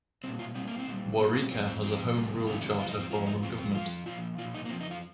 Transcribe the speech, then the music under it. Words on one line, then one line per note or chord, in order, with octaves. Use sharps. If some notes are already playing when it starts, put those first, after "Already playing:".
Waurika has a home rule charter form of government.
A#2 G3 C4
F4
A#2 G3 C4
A#3
C4
A#2 G3
A#2 G3 A#3
A#3
F2 F3 C4
C4
F2 F3 C4
F2 C3 G3
F2 C3 D#3 G3 F4
F2 F3 F4
D#4
C4
F2 F3 F4
D#4
F2 F3 C4
C4
F2 F3 F4
A#2 F3 F4
A#2 F3 F4
D#4
A#3
F2 F3 C4
D#4
F4